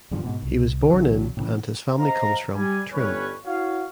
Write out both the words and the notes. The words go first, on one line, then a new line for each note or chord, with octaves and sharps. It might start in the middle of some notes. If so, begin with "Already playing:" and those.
He was born in and his family comes from Trim.
E2 G2 D3 F3
G#2 B2
C2
B1 E2 D3 F#3
A2 C#3 E3
C5 D#5 F5 A#5
G3 G#5
G1 G3 C#4 B4 C#5
E4 F#4 C#5 F5